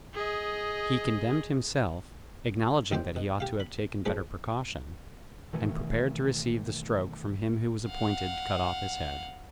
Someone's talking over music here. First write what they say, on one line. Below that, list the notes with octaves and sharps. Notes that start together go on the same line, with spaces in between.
He condemned himself, acknowledging that he ought to have taken better precaution, and prepared to receive the stroke from him who was appointed to cut off his head.
G#4 D#5
D#2 A2 C4 C5 D5 G5
B2
G4 F5
B5
F3 A3 D4 G#4 B4
B2 D#3 E3 A3
F5 F#5